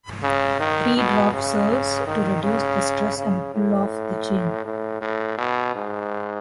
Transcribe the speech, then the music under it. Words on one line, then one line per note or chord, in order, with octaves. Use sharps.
The pre-drop serves to reduce the stress and pull of the chain.
C#3
D#3
B2
C#3
D#3
C#3
C#3
A2
A2
A2
B2
G#2